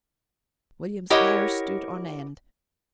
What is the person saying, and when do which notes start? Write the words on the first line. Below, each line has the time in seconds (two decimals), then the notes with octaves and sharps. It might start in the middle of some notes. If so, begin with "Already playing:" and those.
William's hair stood on end.
1.10 E4 G4 A#4 C#5 D#5 F#5